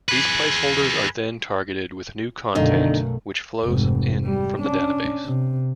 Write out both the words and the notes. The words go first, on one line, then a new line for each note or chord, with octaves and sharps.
These placeholders are then targeted with new content which flows in from the database.
G#4 B4
B1 F#2 B2 D3 D#3 A3 F5
F1 G#2
G3
C#4 D4
C3